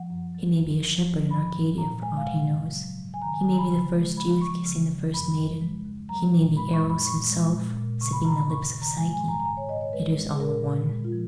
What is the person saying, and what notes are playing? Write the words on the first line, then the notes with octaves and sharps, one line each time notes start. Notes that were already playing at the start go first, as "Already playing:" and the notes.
He may be a shepherd in Arcadia for aught he knows, he may be the first youth kissing the first maiden, he may be Eros himself, sipping the lips of Psyche--it is all one.
Already playing: F3 F#5
F#2
F#3
F#2
F3
F3
G#2 B5
G#2
A#2 A#5
G#3 G#5
F5
C#3 F#5
F#2
F#3
G#2
G#5
D#3 A#5
G#5
D#3 A#5
B5
C#3
G#3
F3 B5
F3 C#6
C#3
D#2
F#2 B5
F#2
G#3
D#2
F#3 A#5
A#2
G#3 B5
C#6
F#2
B5
A#2 C#6
G#3
A#2
A#2
C#3 C#6
B5
C#3 A#5
B5
F#2 C#6
D#3
A#5
G#3 G#5
G#5
G#2
A#5
A#5
G#2 G#5
C#5
G#2 D#5
C#5
G#3 B4
G#3
G#4
A#2 A#4
A#2
G#3
F4
F3